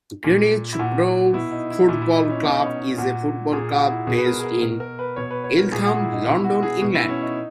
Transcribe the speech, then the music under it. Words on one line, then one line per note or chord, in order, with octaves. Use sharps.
Greenwich Borough Football Club is a football club based in Eltham, London, England.
A#2
E4
A#2 F#4
B2 E4
D#4
E4
A#2 E4
E4
D#4
C#4
B2 D#4
C#4
D#4
A#2 F#4
A#2 G#4
F#4
E4
B2 G#4
B4
A#4
G#4
A#4
B2 A#4
A#4
B4
B2 C#5
B4
C#5
A#4
A#2 G#4
F#4
E4
D#4
B2 E4
F#4
G#4
B2
E4
C#4
D#4